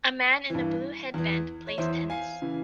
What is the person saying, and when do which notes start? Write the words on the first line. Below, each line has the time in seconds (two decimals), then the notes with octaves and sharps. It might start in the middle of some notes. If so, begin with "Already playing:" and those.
A man in a blue headband plays tennis.
0.50 G2 E3
1.14 E2 E3
1.67 C#5
1.78 E2 E3 C5 E5
2.10 F5 G#5
2.42 C#3 E3